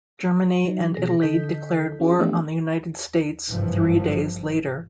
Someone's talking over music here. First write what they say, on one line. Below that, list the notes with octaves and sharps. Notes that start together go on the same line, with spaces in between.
Germany and Italy declared war on the United States three days later.
F#3 D#4
B2 E3 G#4 A#6
D3 A4 D#5 G6 B6
C#4 F4 F#4 G#4
E3 F3 A3 B3 D4 G4
G#1 G2 C3 E3 F3